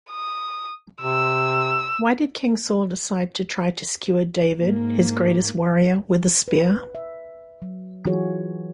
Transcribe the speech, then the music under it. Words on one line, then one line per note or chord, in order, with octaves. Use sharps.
Why did King Saul decide try to skewer David-his greatest warrior-with a spear?
D#6
C3 E6
G#2 A#3
B4
E5
F#3
E3 F#3 F4 F#4 G#4 C#5